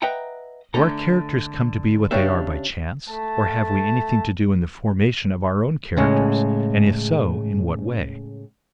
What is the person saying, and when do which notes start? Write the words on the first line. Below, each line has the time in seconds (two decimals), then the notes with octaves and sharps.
Do our characters come to be what they are by chance, or have we anything to do in the formation of our own characters, and if so, in what way?
0.02 B4 D#5 E5 F#5 G5 A#5
0.74 D3 A3 A4 A#5
2.11 C#3 C#4 D4 G4 E5
3.08 A3 A5
5.97 A2 C#3 G#3